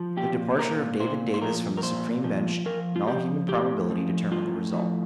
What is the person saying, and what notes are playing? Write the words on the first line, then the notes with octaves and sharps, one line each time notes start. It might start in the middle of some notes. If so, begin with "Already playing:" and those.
The departure of David Davis from the supreme bench in all human probability determined the result.
Already playing: F3
A#2 G4
A#2 A#4
A#2 C5
C5
F3 A#4
A#4
A#2 C5
F3
F3 A#4
F4
F3 G4
A2 G4
F3
A2 F4
F3